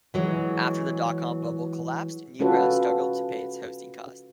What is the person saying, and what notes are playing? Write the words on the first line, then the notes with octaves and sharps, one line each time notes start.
After the dot-com bubble collapsed, Newgrounds struggled to pay its hosting costs.
E3 F#3 G#3
C#3 C#4 F4 F#4 A4 B4